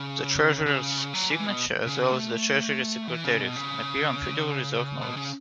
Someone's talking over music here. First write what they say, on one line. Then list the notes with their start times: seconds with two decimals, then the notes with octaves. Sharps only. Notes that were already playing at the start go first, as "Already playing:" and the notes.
The Treasurer's signature, as well as the Treasury Secretary's, appear on Federal Reserve Notes.
Already playing: C#3
0.66 C#3
1.14 F#3
1.30 E3
1.47 B2
1.87 C#3
2.11 A3
3.08 E3
3.24 C#3
3.40 B2
3.56 C#3
5.01 B2
5.17 C#3